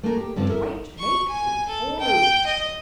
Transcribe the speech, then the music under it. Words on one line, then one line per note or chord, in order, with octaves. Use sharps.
"White mates in four moves."
A3 A#3 D#4 F#4 G4 A#4
G4
G2 D3 F3 G#3 C4 E4
E4 F#4 A4 A#4
D#4
C#6
G#5
A4
G5
D#5